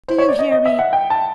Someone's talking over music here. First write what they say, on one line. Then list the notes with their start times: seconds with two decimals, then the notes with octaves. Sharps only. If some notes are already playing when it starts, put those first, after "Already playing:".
Do you hear me?
0.08 C5
0.18 C#5
0.29 D5
0.39 D#5
0.52 D#5
0.66 E5
0.79 F#5
0.93 G5
1.10 A5